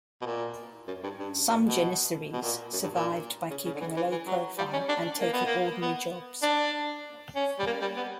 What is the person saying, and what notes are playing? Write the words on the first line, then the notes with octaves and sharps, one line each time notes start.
Some Janissaries survived by keeping a low profile and taking ordinary jobs.
B2
A#2
F#2
G2
G2
A#2
B2
B2
A#2
F#2
G2
A#2
C#3
C#3
D3
E3
E3
E3
F#3
G3
C#4
D4
A#3
B3
A#3
B3
D4
C#4
G3
A#3
G3
B3